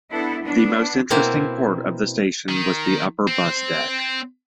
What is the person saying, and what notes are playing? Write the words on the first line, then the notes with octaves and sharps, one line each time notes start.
The most interesting part of the station was the upper bus deck.
B3 D4 E4 A4
B3 D4
B2 A#3 C4 E4
D#3
C4